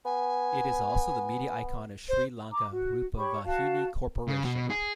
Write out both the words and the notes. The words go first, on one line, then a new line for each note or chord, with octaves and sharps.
It is also the media icon of Sri Lanka Rupavahini Corporation.
B3 G#5
C5
A#5 D6
F#4
G4 C#5 B5 C#6
F#4 F5 A5
C#3
B2
G#4